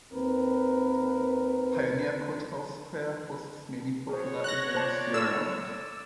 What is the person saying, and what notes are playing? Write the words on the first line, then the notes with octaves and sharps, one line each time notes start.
Pioneer Courthouse Square hosts many popular events year round.
D#2 C4 A#4 B4
F#4 G#4 C5 C#5
C#6 F#6 A#6
C5 D5 A5
A4 E6
D5